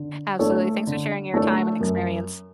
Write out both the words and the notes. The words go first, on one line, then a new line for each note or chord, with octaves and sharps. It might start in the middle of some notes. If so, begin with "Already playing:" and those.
Absolutely, thanks for sharing your time and experience.
Already playing: D3
A3 D4 A4 C#5
D3
A3 D4 A4 C#5
F#2